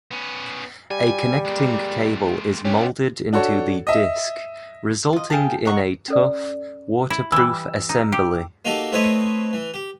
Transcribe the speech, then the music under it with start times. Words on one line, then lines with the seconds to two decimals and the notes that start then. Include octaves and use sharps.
A connecting cable is moulded into the disc, resulting in a tough, waterproof assembly.
0.11 B3 C#4
0.91 G3 G#5
1.45 G#3 A#3
2.65 C#4 F4 G4
3.33 D4 F#4 A4 C#5
3.87 D#5 E5
5.13 F4 D#5
5.30 G#4 F5 G5 A5
5.65 D#5 F#5 A#5 C#6
6.08 C#4 A4 D5
7.10 E4
7.32 E3 G3 E6
7.89 D#4
8.12 G4
8.65 A#3 D#4 F#4 G4 A4
8.92 A3 C4 E4 B4 C#5 D#5
9.53 E3
9.74 G4